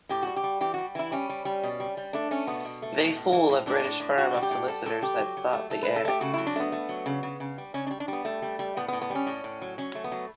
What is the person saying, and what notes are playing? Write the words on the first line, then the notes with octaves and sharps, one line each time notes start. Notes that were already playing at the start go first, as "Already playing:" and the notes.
They fool a British firm of solicitors that sought the heir.
A2 G4
G3 F#4
G4
G3
E3 G4
G3 F#4
E3 E4
G3 C#4
G3
G3
B2
G3
G3
A3 D4
A3 C#4
B2 B3
B2
A3
B2
A2
E3
A2
A2 D4
A2
A2
G3 F#4
G3
G4
A2
G3 A4
A2 A4
G3 G4
F#3
F#3
A3
A3 A4
B4
A3
A4
A3 G4
C#3 F#4
F#3 E4
D4
A3 B3
A3
F#3
C#3
C#3
C#3
G3
C#3 C#4
D4
G3
D4
G3 B3
G3 A3
G3
G3
A2 B3
B3
A2
B3
G3 C#4
A2
A2
F#3
F#3 C#4
A3
B3
F#3